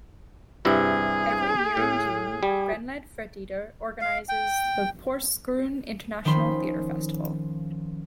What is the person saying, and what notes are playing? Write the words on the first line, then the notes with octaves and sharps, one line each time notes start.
Every year in June, Grenland Friteater organises the Porsgrunn International Theatre Festival.
G2 C3 E4 G#4
A2
G3
F5
G5
D#3 F3 C#4 B5 C6